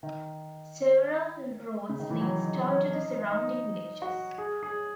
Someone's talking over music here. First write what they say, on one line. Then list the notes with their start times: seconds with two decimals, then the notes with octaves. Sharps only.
Several roads link Stow to the surrounding villages.
0.03 D#3
1.89 C#3
1.99 D#3
2.10 E3
2.21 F#3
2.44 D#4
2.68 C#4
2.93 D#4
3.29 D#4
4.02 F#4
4.38 G#4
4.63 G#4